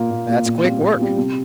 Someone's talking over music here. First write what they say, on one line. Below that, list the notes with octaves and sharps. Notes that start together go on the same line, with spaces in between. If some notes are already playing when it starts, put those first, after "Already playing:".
That's quick work.
Already playing: A#2 A#3 F4
A#2
A#3 F4
A#2
G3 C4 F4
A#2
G3 C4 F4
C3